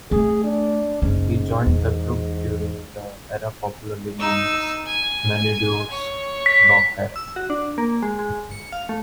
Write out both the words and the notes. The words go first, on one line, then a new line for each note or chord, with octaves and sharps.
He joined the group during the era popularly known as "Menudo"'s "Rock era".
A3 G#4
D4
F#1 G#2 C#4
E2
D#4 E6
G#5
C#5
B6
E6
F#4
D4
A#3
G#3
G#3
C#7
F5
A3